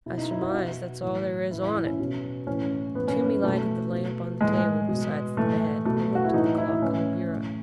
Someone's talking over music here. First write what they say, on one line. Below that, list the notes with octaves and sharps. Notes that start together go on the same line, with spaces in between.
"I surmise that's all there is on it." Toomey lighted the lamp on the table beside the bed and looked at the clock on the bureau.
B2 E4
D#4
E4
F#4
B2 F#4
A2 E3
A2 E3 E4
E4
E4
C#4
B2
A2 E3 C#4
A2 E3 B3
C#4
B3
B2 A3
B2
A2 E3 G#3
B2
A2 E3 A3
B2 A3
F#4
E4
A2 E3 D#4
E4
A2 E3 C#4
A2 E3